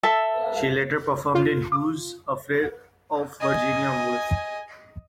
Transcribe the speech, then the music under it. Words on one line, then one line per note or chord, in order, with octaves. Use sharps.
She later performed in Who's Afraid of Virginia Woolf?
A4 E5 A5
F4
D#5 G#5